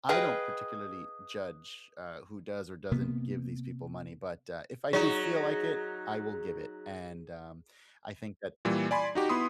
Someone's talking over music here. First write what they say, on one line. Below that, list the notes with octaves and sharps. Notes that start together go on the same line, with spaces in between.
I don't particularly judge, uh, who does or doesn't give these people money, but, uh, if I do feel like it, I will give it, and, um, I think that
G#4 B4 D#5 F5 G5
C3 A#3 B3
F#3 D#4 G#4
A#2 E3 G3
D5 G#5 B5 C6
D#4 F#4 G4
B3 E4 B5 C6 D#6